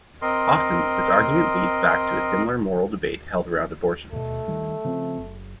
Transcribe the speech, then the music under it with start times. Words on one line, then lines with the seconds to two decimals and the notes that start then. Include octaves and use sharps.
Often, this argument leads back to a similar moral debate held around abortion.
0.22 C4 A#4 D#5 C6
4.12 D#2 B2 A3
4.48 D#3 G3
4.84 C#3 F3 C4
5.18 F#1